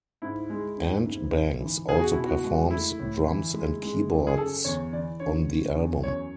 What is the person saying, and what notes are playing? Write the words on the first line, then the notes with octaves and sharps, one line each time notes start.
Ant Banks also performs drums and keyboards on the album.
G#2 E4
G#3
G#2
G#2
G#2
E3
B2 G#4
F#4
B2 E4
F#4
G#3
A3 E4
A2
E3
G#3
G#3
F#2
G#4
C#3 A4
E2 C#5
E3 D5
D3 C#5
D3
E2
F#2 C#5